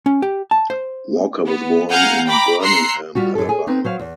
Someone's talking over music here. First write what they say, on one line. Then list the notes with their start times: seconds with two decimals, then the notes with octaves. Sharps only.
Walker was born in Birmingham, Alabama.
0.06 C#4
0.22 G4
0.51 A5
0.70 C5
1.44 B3
1.91 F5 F#5 G#5 A#5 F6 G6
2.26 G5 A#5 B5 D6
2.62 A#5 C6 E6 F#6 C7 C#7
3.15 G3 F4 F#4
3.35 F#2 A4
3.49 G#4
3.67 B3 C4 D#4
3.84 F#3 C5 F5
3.99 E2